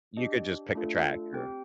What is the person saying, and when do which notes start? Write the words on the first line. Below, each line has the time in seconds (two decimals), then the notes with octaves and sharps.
you could just pick a track or,
0.17 D4 G4 D#5
0.75 A3 D4 F4 A4
1.33 C4 G5
1.38 G4